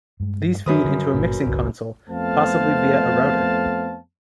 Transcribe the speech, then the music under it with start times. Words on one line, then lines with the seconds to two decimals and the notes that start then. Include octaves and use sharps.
These feed into a mixing console, possibly via a router.
0.20 G2 G#3
0.66 F#2 D#3 B4 D#6
0.85 D3 G3
1.14 G1 A#2
1.46 G#1 C#2
2.10 F2 A3 B3 C5 F5 A5